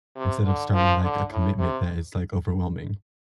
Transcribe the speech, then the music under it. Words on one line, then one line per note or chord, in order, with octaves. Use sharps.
instead of starting, like, a commitment that is, like, overwhelming.
C3
D3
F3
D3
A2
C3